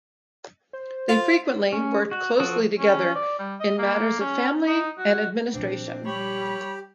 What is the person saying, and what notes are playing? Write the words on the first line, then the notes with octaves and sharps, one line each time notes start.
They frequently worked closely together in matters of family and administration.
C5
F4
C#4
F#4
F3 F#4 A4 D#6
C#4
D5
G3
D#5
A#3
C#4
D#4
F#4
A#2 F3 C4 D4
G3 G4 C#5 B5